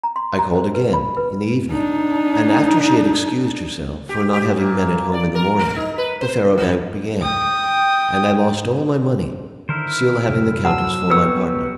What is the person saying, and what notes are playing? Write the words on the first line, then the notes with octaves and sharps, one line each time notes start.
I called again in the evening, and, after she had excused herself for not having been at home in the morning, the faro bank began, and I lost all my money, still having the countess for my partner.
A#5
C6
A#5
C5
B4
B5
B4
D4 D#4
G4
G4
A#2
D5
A#4
A3
D#4
B4
C5
E3
G5 D#6
D3 D#3 E4 A#4 C5
F#2 C3
F#3 F#5 A5 E6
F#3 B3 G4 B4 C#5 E6